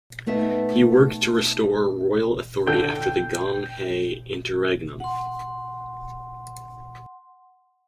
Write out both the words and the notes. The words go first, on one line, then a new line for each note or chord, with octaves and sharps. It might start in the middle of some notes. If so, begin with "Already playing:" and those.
He worked to restore royal authority after the Gong He interregnum.
A3 B3 D#4 E5
D3 G5
F#5 C6